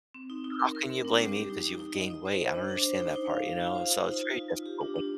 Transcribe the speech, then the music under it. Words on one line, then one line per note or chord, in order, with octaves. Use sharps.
How can you blame me because you've gained weight? I don't understand that part, you know? So it's very difficult when
C4
D#4
D#4
A#4
A#4
C4
D4
G3
G4
D#4
D#4
D#4
D#5
D#4
C5
D#5
D4
D4
C5
D#4
D#4
F5
F5
F4
C5
D#4
D#4
F4
F4
F4
G4
D4
D4